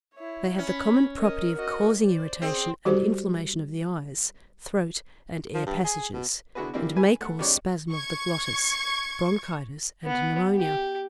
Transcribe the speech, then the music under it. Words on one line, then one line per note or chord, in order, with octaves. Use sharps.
They have the common property of causing irritation and inflammation of the eyes, throat, and air-passages, and may cause spasm of the glottis, bronchitis, and pneumonia.
E4 C#5
C#4 B5
A#4 D#5 D#6
F#4 D#5
C5 D5
C4 G#4
G3 F#4 G4 A4 C5
F3
G2
G#4
B2
D3 B3 E4 F#4 G#4 B4
E3 G3 A#3 C4 D4 E4
B4 G#5
A3 F#5
F2 G#3 D4 G4 C#5 D5
C#6 G#6
B3
G4